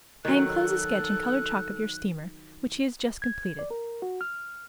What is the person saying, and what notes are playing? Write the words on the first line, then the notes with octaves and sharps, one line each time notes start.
I inclose a sketch in colored chalk of your steamer, which he has just completed.
D#3 F#3 A4 F#6
G#6
D5
A#4
F#4
F6